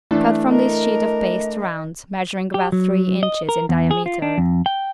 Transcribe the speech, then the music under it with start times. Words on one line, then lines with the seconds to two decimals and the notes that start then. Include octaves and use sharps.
Cut from this sheet of paste rounds measuring about three inches in diameter.
0.11 E3 A3 D4
0.50 A#4 D#5
2.54 G4
2.72 F#3
3.23 D#5
3.49 A#4
3.69 E2
3.91 G#4
4.06 F4
4.22 D4
4.38 F2
4.66 G5